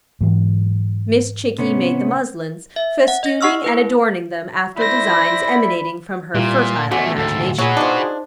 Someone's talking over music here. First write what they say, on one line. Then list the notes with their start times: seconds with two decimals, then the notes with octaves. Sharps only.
Miss Chickie made the muslins, festooning and adorning them after designs emanating from her fertile imagination.
0.21 G#2 E3 F#3
1.58 C3 B3 C#4
2.76 E5
3.08 F#5
3.23 D#5 A#6
3.41 G4 F#5 C#6 E6 F6
3.64 E4 B4
4.77 E4 C5 D5 B5 A#6
6.35 A#2 G3 E4 F4
6.92 E2 D3 A3 F#4 G#5
7.16 D2 G#2 A4
7.59 A#2 F#3 F#4 G#4 B4
7.77 F3 D4 D#4 C5